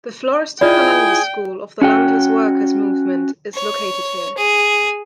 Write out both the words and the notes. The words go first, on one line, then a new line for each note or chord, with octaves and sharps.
The Florestan Fernandes School of the Landless Workers' Movement is located here.
E4 F4 G#4 D5 D#5 G5 G#5
C#4 F#4 G5
C#5
G#4